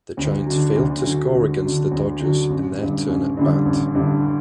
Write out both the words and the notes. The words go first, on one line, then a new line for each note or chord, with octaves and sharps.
The Giants failed to score against the Dodgers in their turn at bat.
D2
D3 F#3
D2
D3 F#3
D2
D3 F#3
D2
D3 F#3
A1
G2 D3 G3
A1
G2 D3 G3
A1
G2 D3 G3